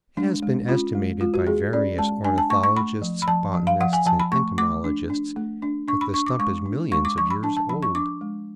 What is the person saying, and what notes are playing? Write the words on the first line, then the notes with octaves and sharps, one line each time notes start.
It has been estimated by various ornithologists, botanists and entomologists that the stump is millions of years old.
G#3 D4
G#3
C#4 F4
G#3
G#3 F4
F#4
G#3 G#4
C#4 D5
G#3 A5
D4 G#5
A5
A3 C#6
C#6
A3 B5
F3
B5
F3 A5
F3
F5
F3 F#5
G#5
F3 A5
B5
A3 C#6
A3 D6
D4
D4
A3
D4
D4 C#6
B5
D4 C#6
D6
G#3 C#6
D4
G#3 C#6
D6
F3 C#6
B5
D4 A5
A5
F3 B5
C#6
D4 D6
G#3